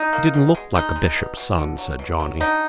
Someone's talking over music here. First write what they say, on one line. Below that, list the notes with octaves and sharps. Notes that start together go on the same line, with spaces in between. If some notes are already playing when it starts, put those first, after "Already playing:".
"He didn't look like a bishop's son," said Johnny.
Already playing: D#4
A#3
B2
G#3
G#3 D#4
G#3
B2
B2
D3
F#3
B2
F#3
D3 D#4